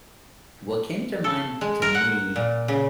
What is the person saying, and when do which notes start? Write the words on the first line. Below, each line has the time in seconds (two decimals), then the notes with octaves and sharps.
what came to mind to me,
1.24 A4
1.61 G#3
1.82 A#4
1.95 F#5
2.36 A#2
2.68 C#3